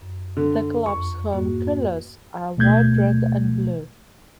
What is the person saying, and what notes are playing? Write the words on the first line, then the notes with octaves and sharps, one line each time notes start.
The club's home colours are white, red and blue.
F#2
D3
F2 C#6
G#2 A#3 F#4
D2 B2 A3 G6 G#6